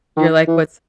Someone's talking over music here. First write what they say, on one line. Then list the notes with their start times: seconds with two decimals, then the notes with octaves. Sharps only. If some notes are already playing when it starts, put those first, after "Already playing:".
You're like, "What's
0.17 D#3
0.48 E3